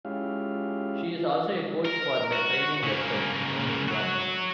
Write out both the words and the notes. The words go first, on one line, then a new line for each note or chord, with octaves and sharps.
She is also a coach for the training website, Run It Once.
G#3 C#4 E4 F4 G4 F5
A#4
F#4
C#3 A#3
F#3 F#4